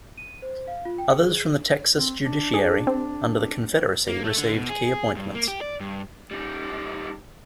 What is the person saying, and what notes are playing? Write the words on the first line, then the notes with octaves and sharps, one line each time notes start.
Others from the Texas judiciary under the Confederacy received key appointments.
D#7
C5
F5
F4
G5
G#4
C4
D4
G#4
C4
A#3
A3
D3
B2
G#4
G2
A#3
G4
D5
G2
G3 D#4